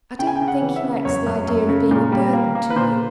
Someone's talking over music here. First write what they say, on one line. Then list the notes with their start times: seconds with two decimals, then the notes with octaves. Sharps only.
"I don't think he likes the idea of being a burden to you."
0.19 C#3 G5
0.27 G#5
0.35 G5
0.41 C#3
0.48 F#5
0.62 E3
0.76 E5
0.83 C#3
1.05 F#2 C#5
1.26 F#2
1.48 F#2
1.69 C#3
1.91 A#2
2.12 G3
2.33 A#3
2.55 A#3
2.70 B4
2.76 A#2 C5